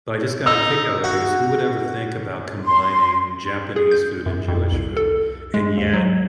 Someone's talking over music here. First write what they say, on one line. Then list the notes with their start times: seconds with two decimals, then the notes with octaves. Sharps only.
But, I just got a kick out of it, because who would ever think about combining Japanese food and Jewish food? And, yet
0.46 D#4 E6
1.04 F#4
2.65 C6
3.76 G#4
3.91 G6
4.26 F#2
4.48 F2
4.72 C2
4.97 A4
5.54 G#3
5.77 D#2
5.94 F#3